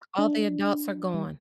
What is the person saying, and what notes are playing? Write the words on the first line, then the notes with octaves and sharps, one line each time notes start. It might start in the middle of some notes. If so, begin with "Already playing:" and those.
All the adults are gone.
D4
G3